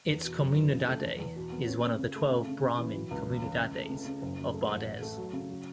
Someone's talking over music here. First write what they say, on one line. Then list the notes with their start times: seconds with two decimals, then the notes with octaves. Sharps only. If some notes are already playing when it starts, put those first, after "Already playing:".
Its comunidade is one of the twelve Brahmin comunidades of Bardez.
0.09 E2
0.24 B2
0.40 F#2
0.56 E3
0.72 C#3
0.88 A3
1.04 E2
1.19 E2
1.36 B2
1.52 B3
1.67 C#4
1.84 C#4
1.99 C#3
2.16 A3
2.31 C#3
2.47 C#3
2.63 C#3
2.78 E3
2.95 F#3
3.11 C#2
3.26 E2
3.42 C#4
3.58 C#2
3.75 A3
3.90 C#3
4.06 C#3
4.22 F#1
4.38 F#2
4.54 A3
4.70 A1
4.86 A1
5.02 A3
5.17 F#3
5.33 C#3
5.49 F#3